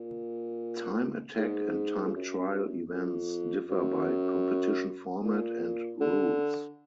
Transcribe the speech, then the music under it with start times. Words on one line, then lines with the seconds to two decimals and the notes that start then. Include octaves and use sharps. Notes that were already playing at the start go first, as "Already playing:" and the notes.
Time attack and time trial events differ by competition format and rules.
Already playing: A#2
1.38 G#2
2.05 F2
2.15 F#2
2.92 F2
3.69 F#2
5.23 A#2
6.00 D3